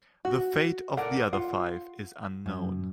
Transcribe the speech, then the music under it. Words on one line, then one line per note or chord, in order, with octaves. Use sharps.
The fate of the other five is unknown.
F#4
A4 A#4 D5 F#5
F4 F#5
F#2